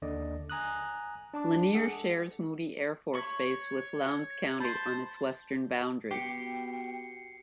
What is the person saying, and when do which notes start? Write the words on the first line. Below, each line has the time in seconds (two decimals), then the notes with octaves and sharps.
Lanier shares Moody Air Force Base with Lowndes County on its western boundary.
0.02 D#2 D3 D5 D#5
0.50 G#5 A#5 D#6 F#6
1.34 D4 A5 D6
1.74 G#3 G#4 A4 F#5 C#7
3.14 C#5 B5 C#6
4.60 C5 A5 B5 C6
6.11 B3 F#4 G4 G5 C7 C#7